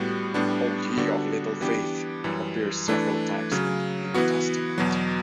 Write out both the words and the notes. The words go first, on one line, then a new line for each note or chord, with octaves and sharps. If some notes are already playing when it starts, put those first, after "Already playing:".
"O ye of little faith" appears several times in the New Testament.
Already playing: A2 G3 B3 F#4
A2 G3 B3 D4
D3 G3 B3 D4 F#4
E3 B3 D4 G4
F#2 E3 G3
E3 A3 D4
C#3 F#3 C#4
E3 B3 F#4
E2 B2 F#3